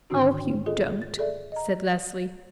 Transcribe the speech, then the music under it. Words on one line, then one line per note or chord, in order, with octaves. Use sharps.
"Oh, you don't," said Leslie.
G#2 D3 D#3 C4 D4 F#4
F4 G#4 A4 D#5
A6
G#4 A4 D5 E5
D#5 A#5